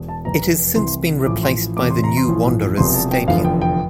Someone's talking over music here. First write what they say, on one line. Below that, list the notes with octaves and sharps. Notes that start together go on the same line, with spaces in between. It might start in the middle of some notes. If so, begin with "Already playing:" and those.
It has since been replaced by the New Wanderers Stadium.
Already playing: E1
A5
F1 E2 E3 A#5
C2 C3 E3 C6
A1 A2 F3 D6
C6
E2 C3 E3 D6
C6
A#5
C6
A1 A2 F3
E1 E2 C3 F3 C6
A5
G5
F1 E2 D3 F3 F5
G5
G5